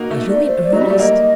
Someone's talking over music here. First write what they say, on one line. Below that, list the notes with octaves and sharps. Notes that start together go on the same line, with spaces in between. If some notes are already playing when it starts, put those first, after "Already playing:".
"Are you in earnest?"
Already playing: A#3 D#4 F#4
A3
D5
C5
D5
F#3 D#5
G3
A3 D5
A#3 D#5